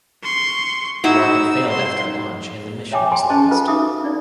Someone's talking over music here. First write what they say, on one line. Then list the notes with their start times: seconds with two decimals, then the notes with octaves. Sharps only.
The rocket failed after launch and the mission was lost.
0.23 C6 C#6
1.04 D#4 E4 F#4 E6
1.69 C6
2.92 C#5 E5 G5 G#5 D6
3.11 G5 G#5 B5 C6
3.29 C#4 G#4 C5 D#5 A5 C#6
3.51 F4 A4 B4 F5
3.68 D#4 F#4 E5 D6 D#6
4.04 D4 D#4 D5